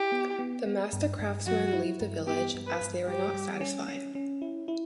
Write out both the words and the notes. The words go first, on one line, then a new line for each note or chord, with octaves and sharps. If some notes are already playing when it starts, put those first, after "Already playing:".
The master craftsmen leave the village, as they were not satisfied.
Already playing: E4 G4
B3
B3
B3
G2
G2
F#3 F#4
E4
G2
B3 G4
G2
B4
G2
G3 G4
G3
C#4
C#4
C#4
E4
E4